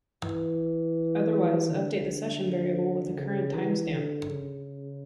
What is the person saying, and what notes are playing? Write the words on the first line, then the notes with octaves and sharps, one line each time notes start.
Otherwise, update the session variable with the current timestamp.
E3
D3
C#3
E3
D3
C#3